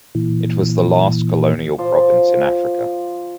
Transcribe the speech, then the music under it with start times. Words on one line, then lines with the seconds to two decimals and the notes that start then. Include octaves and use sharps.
It was the last colonial province in Africa.
0.15 A#2 E3
1.78 F3 C5 D5